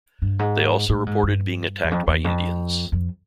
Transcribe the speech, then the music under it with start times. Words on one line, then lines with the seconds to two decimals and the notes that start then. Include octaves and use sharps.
They also reported being attacked by Indians.
0.22 G2
0.39 G#2
0.89 A2
1.06 G#2
1.23 G2
1.84 E2
1.91 F2
2.07 E2
2.24 F2
2.92 F2